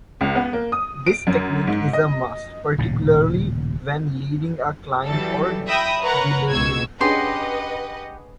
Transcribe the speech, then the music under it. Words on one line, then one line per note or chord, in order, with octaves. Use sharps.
This technique is a must particularly when leading a climb or belaying.
C#2
B3
A#3
D#6
D7
F#2
G#2
D#5
D#1 A2 C#3
E3 F#3 G3 A4
E5 G5 B5 D#6 A#6
A#4 B4 C#5 F#5 A#5
C#2 B2 C#6 E6 G#6
C#4 D4 G4 G#4 B4 D#5 F#5 C6